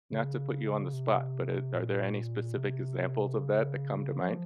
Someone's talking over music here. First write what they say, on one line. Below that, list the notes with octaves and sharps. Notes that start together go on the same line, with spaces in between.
not to put you on the spot, but it are there any specific examples of that that come to mind?
C#3
C3
A#2
C3
C#3
F3